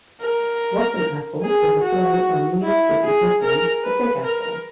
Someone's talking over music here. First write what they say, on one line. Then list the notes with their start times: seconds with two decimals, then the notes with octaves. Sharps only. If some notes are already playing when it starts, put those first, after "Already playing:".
"Rotten Apple" is a play on New York City's nickname "The Big Apple".
0.22 A#4
1.42 G#4
1.82 F#4
2.63 E4
3.03 G#4
3.42 A#4
3.84 B4
4.24 A#4